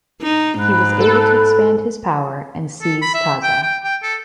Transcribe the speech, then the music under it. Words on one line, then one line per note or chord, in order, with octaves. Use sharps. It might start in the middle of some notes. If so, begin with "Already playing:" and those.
He was able to expand his power and seize Taza.
D#4
G#2 B5 F#6
A4
A4
B5
E5
G5
G5
G5
A4